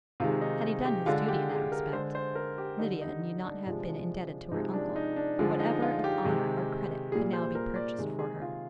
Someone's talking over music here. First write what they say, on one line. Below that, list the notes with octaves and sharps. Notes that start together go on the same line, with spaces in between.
Had he done his duty in that respect, Lydia need not have been indebted to her uncle for whatever of honour or credit could now be purchased for her.
C3 D#3 G#3 F4
D#4
G4
D3 G#3 F4
G4
G#4
A#4
D3 G#3 C5
C5
A#4
G4
D3 G3 D#4
D#4
D#4
D4
C3 F3 G#3
C3 F3 G#3 D#4
D4
D#4
D4
D3 F3 G#3 D4
D#4
F4
G4
C3 D#3 G#3
A#2 G3 G#4
C5
A#4
D5
C3 D#3 G#3
G#4
F4